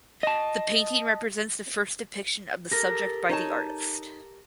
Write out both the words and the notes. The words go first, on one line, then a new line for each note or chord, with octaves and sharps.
The painting represents the first depiction of the subject by the artist.
D#5 A5
G4 A4 A#4 A#6
D#4 C#5 A5